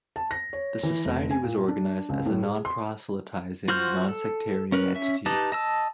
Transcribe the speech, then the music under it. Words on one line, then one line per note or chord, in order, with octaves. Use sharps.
The Society was organized as a non-proselytizing, non-sectarian entity.
A5
A#6
C#5
E3
F1
G#5
A#2
D4
C#2
A2
G#4
C6
F4 F#4 C5 F6 G6
A4
C#4 A#4 B4
C#4 E5
D#4 G4 B4 D#5 A5
D#5 A5 E6